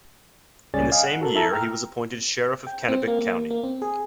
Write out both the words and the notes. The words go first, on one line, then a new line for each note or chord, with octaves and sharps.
In the same year he was appointed Sheriff of Kennebec County.
C#2 G3 C#4 G#4 D5 A6
D#5 F5 G#5
F#5
F#4 A4 A#4
E4 A4 A#5
G5 A#5 E6 F6
G5
C4
A#3
A#3
A#3
C4
G#4